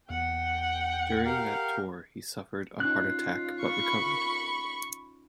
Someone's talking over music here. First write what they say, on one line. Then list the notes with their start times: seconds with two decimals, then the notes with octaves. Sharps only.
During that tour he suffered a heart attack but recovered.
0.10 E2 F#5 G5
1.25 G4 A#4 F5
2.80 C#4 D#4 F4 F#6
3.61 B5 C#6